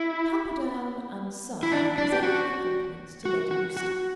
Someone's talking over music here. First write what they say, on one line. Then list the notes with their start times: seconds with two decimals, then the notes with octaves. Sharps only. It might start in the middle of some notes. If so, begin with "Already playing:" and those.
Camperdown and Son present their compliments to Lady Eustace.
Already playing: E4
1.63 E4
1.72 D4
1.98 D4
2.12 G4
2.23 F#4
3.25 F#4
3.51 F#4
3.77 F#4